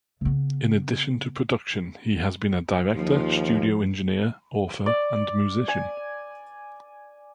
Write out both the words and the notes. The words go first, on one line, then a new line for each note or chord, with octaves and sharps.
In addition to production, he has been a director, studio engineer, author and musician.
C#3 B3
D#2 F3
D5
G#5